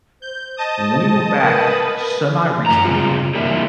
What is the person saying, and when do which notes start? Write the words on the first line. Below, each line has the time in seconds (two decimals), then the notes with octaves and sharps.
When we went back semi-recently,
0.22 C5 G6
0.57 D#5 A5 D#6
1.40 A#4 B4
2.66 F#2 A#5
2.85 C#3 G3 G#3 C4 F4
3.35 E3 G3 A#3 D4 E4